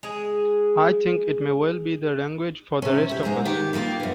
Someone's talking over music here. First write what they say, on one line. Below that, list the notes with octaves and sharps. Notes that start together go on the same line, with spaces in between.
I think it may well be the language for the rest of us.
G#3 G#4
C3 C#4
E4 G4
G#2 G#3 C5 A#5
D#3 G4
D#3 G3 A#3 F4
F#2 B3